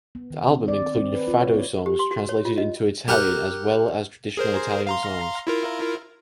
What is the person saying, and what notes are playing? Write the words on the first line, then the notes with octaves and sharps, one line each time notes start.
The album included fado songs translated into Italian as well as traditional Italian songs.
B3
D#3
C4
D5
C4
C4
B4
F4
C#5
B3
G4
C6
F#4
C#5
F4
D#5
G4 A#4 F#5
G#4 A#4 C5
F5 A#5 C6
E4 F4 A#4